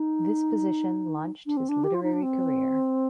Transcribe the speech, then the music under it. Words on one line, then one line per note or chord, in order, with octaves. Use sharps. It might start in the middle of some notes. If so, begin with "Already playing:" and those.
This position launched his literary career.
Already playing: D#4
D4
C4
D4
G4
F4
D#4
D4
C4